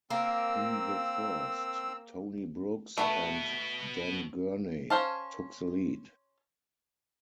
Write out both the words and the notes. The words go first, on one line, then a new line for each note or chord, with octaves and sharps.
In the first, Tony Brooks and Dan Gurney took the lead.
A#3 C4 E6
B2 A3 B3 F#4 B4
C#4 C5 F5 A5